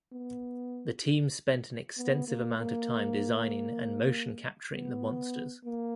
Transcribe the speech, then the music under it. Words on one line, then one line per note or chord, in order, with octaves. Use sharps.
The team spent an extensive amount of time designing and motion capturing the monsters.
B3
B3
A#3
A#3
B3
A#3